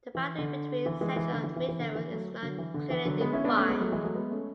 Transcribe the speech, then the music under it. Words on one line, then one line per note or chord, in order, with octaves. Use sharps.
The boundary between Central and Mid-levels is not clearly defined.
E3
D3
E3
E3 G#3
E3
D3
E3
E3
E3
D3
E3
F#3 A3
D3 F#3
E3
D3
E3
D3 F#3
G#3 B3
C#4 E4
B3 D4
A3 C#4
G#3 B3
F#3 A3
E3 G#3
F#3 A3
G#3 B3
A3 C#4